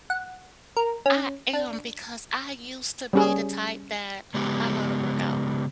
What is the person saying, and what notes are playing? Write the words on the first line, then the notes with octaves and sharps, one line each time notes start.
I am because I used to be the type that I love to work out
F#5
A#4
C#4
D4
G3 C#4 G#4
C#3 G#3 B3 G4